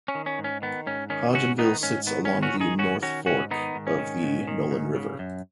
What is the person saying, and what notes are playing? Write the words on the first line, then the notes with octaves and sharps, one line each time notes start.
Hodgenville sits along the North Fork of the Nolin River.
C#4
D#3
C#4
G#2
C#4
D#3 B3
G#2 C#4
D#3 C#4
G#2 C#4 F#4
D#3 B3 D#4
G#2 C#4
D#3 B3
C#4
G#2
C#4 F#4
D#3
D#4 G#4
G#2 C#4 F#4
D#3 C#4 F#4
G#2 C#4 F#4
D#3 B3 D#4
G#2
C#4
D#3
G#2
D#3
G#2
C#3
F#2